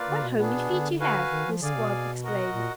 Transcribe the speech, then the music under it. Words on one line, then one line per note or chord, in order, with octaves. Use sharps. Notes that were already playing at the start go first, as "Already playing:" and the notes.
"What homely feet you have!" this Squab exclaimed.
Already playing: A#3 F4 B4 D5 F5
D3
B2
A#2 B3 D4 G#4
B2
D3
F#4 B4 F5 G#5
D#3
F3
D3 G#4 D5 F5 G#5
B2
F#4 A#4 D#5 F#5
A#2